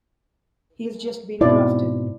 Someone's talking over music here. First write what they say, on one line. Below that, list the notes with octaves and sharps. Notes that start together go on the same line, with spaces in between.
He's just been drafted.
G#2 B2 C4 E4 D5